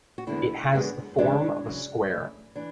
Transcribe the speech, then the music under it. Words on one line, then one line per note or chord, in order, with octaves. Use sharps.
It has a form of a square.
F#4
E2 D3 G#3 B3 E4
F#2 D3 G#3 B3
G#2 E3 G#3 B3 D4
F#2 C#3 F#3
F#2 E3 A3
E3 D4